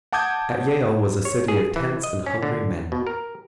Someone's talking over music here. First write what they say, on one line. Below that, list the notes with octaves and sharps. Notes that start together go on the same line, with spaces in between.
At Yale was a city of tents and hungry men.
F#5 A5 D6 D#6 G6 G#6
C#5
G#4
E3
D#5
C#4
D3
B2
A#4